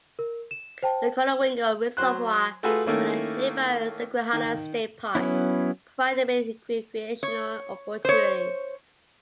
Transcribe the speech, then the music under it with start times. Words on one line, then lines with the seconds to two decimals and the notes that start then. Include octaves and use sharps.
The Conowingo Reservoir, and the nearby Susquehanna State Park, provide many recreational opportunities.
0.19 A#4
0.51 E7
0.83 C5 G5 A5
1.97 F#3 C5 F#6
2.63 A3 F4 F#4 G#4 A4 B4
2.86 D#3 A3 A#3 C#4 E4
4.33 D#3
5.15 F#3 B3 C#4 E4
7.23 C#5
8.05 C5 C#5